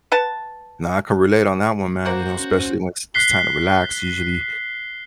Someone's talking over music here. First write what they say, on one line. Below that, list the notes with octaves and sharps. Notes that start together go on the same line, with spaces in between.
Now I can relate on that one, man, you know, especially when it's it's time to relax, usually,
B4 F#5 A5
A#3 F#4 C5 F#5
C#4
F#6 B6 C7 G7